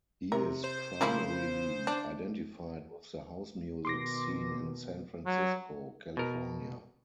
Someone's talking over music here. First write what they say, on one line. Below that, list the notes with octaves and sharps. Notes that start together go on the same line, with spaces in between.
He is primarily identified with the house music scene in San Francisco, California.
C3 A#4
C5
C#3 F3 A#3 E4
D4
B2 D#3 C6 D6 A#6
F#3
B2 A#4